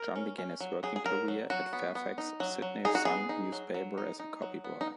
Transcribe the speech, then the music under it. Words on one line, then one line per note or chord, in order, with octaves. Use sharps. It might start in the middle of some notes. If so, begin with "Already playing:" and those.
John began his working career at Fairfax's Sydney Sun newspaper as a copy-boy.
Already playing: A#4
C#4
C#4
F#3
F#3 G#4
G#4
F#3 A#4
F#3
F#3 F#4
B3
B3
D#4
F#3
F#3
D#4 G#4
F#4
B3 G#4
D#4
F#3
F#3
D#4
D#4
F#3
B3
D#4